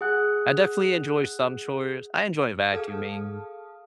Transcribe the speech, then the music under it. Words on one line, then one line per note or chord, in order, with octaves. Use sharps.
I definitely enjoy some chores, I enjoy vacuuming.
G#4 F#5 F#6
G#4 A4 F5 A5 D#6 F6